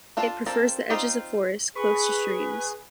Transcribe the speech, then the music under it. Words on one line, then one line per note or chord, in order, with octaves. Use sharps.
It prefers the edges of forests, close to streams.
D4 F4 A4 F5
C4 F4 A4 A#4 D5
C4 D#4 F4 C5 D5
G#4 B4 C#6